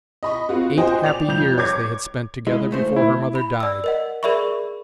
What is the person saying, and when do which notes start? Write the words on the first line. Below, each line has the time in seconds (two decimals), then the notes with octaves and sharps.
Eight happy years they had spent together before her mother died.
0.23 D#5 B5 C#6
0.49 C4 F4 F#4
0.78 F#4 C5 D#5 G5 G#5
1.02 A#2 D5 G5 F7
1.28 C2 F2 G6 F7
1.58 C#5 D6 G#6
2.47 G#3 E4 D#5
2.71 D2 A3 C5
2.96 E4
3.35 B5
3.60 D5 E6
3.84 A#4 D#5 F#5
4.23 G#4 A#4 D5 E5 B5 C#6